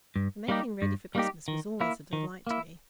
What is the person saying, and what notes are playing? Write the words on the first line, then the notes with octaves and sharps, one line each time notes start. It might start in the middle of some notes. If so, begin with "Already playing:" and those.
The making ready for Christmas was always a delight to me.
G2
G3 A#3 D#4 G4
G2
G3 A#3 D#4 G4
D#3
A#3 E4
D#3
A#3 E4